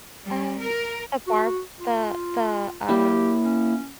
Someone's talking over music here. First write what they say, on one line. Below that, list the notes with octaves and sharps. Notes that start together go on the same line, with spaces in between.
Um, The Barb the the, um,
G3
A#4
F#4
F4
A#3 E4 G4
C#4